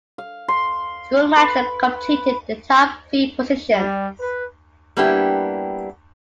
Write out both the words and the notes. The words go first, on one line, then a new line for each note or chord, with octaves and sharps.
Schumacher completed the top three positions.
F5
C6
B4
G3
B4
G3 A#3 B3 D4 E4 G4